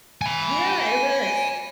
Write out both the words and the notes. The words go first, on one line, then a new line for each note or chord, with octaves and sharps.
Yeah, it was.
G#5 B5